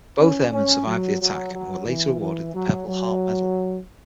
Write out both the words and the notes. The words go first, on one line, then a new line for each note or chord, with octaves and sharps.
Both airmen survived the attack and were later awarded the Purple Heart medal.
C#4
C#4
F#3
F#3
F#3
E3
E3
F#3
F#3